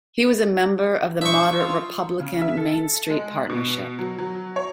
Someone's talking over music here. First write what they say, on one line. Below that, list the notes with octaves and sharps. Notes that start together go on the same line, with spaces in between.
He was a member of the moderate Republican Main Street Partnership.
D4 C5 E5 C6 C#6 D#6
F4
C#3
E5
A4
G#3
B2
F#3
F#3
C#5